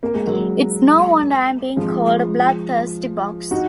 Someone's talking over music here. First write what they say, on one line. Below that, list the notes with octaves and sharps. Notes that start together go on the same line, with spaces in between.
It's no wonder I'm being called 'Bloodthirsty Box'.
A#3
G#3
F#3 A#3
F3 G#3
D#4 F#4